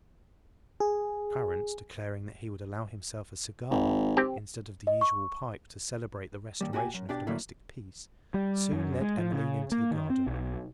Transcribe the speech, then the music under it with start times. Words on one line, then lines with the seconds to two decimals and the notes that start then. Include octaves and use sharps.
Clarence, declaring that he would allow himself a cigar, instead of the usual pipe, to celebrate the restoration of domestic peace, soon led Emmeline into the garden.
0.80 G#4
3.71 G#1
4.17 C4 G4
4.87 D#5
5.01 C#6
6.61 D#2 G3
6.73 A#2 F#4 G4 G#5
6.94 F#2
7.09 B2 D4 G4 D5
7.27 D3 F#3 A3 A#3 E4
8.34 G3
8.73 F#2
9.01 G#3
9.19 F3
9.33 C#3
9.72 A#3
9.91 D#3
10.10 C4
10.27 B1